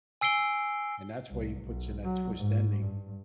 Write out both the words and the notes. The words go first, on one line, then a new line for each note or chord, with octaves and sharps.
and that's why he puts in that twist ending
G#5 E6 C7 D7 G7
C2
B1
F#3
G#2
G2